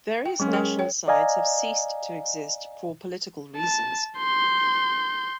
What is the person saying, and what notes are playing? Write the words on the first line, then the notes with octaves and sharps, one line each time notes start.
Various national sides have ceased to exist for political reasons.
G5
F#3 G#3 C#4
G#4 A#4 G5
C#5 G5
D5 D#5 F5 G#5 A#5
A5
C6 G6